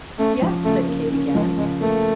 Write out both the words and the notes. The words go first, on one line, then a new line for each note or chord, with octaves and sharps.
"Yes," said Kate again.
A3 C#4
F3
C#3 A3
A#3
C#4
F3 G#3
C#3 G#3
A3 A#3